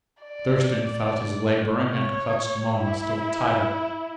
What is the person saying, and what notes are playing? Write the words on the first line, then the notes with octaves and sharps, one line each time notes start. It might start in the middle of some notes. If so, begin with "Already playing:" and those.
Thurston felt his laboring and clutched Mona still tighter.
D5
C#5
E4